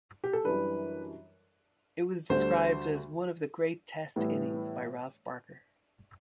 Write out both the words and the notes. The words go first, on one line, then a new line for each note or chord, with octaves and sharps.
It was described as "one of the great Test innings" by Ralph Barker.
G4
A4
F#2 E3 G3 D4 B4
D2 D3 G3 C5
A2 E3 G3 B3 E4